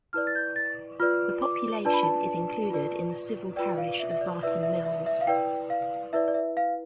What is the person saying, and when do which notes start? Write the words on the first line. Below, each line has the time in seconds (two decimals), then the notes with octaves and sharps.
The population is included in the civil parish of Barton Mills.
0.13 E4 B4 D5 F6
0.27 A6
0.35 G6
0.56 A6
1.00 F4 B4 D5 F6
1.42 D6
1.85 D4 F4 B4 D5 A5
1.94 B5
2.03 A5
2.70 F4 B4 D5
3.56 F4 B4 D5 G5
3.78 F5
3.99 E5
4.11 E5
4.21 D5
4.43 E4 B4 D5 E5
4.63 E5
4.85 E5
5.06 E5
5.21 F5
5.27 E4 B4 D5 G5
5.70 F5
6.13 E4 B4 D5 E5
6.28 D5
6.34 E5
6.57 F5